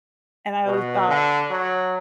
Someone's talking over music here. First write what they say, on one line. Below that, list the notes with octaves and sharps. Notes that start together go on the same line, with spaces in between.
and I w thought
B2
D3
F#3